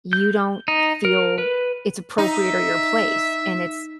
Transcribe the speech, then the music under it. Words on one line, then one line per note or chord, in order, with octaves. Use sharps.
you don't feel it's appropriate or your place, and it's
G6
D#4
A#4
B4
D#4 E5